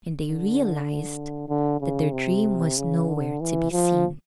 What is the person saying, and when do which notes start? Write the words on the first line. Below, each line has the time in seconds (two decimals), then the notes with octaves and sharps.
And they realized that their dream was nowhere to be seen.
0.21 D3
1.48 D3
1.81 C#3
2.12 C3
2.77 C#3
3.08 D3
3.41 E3
3.72 F3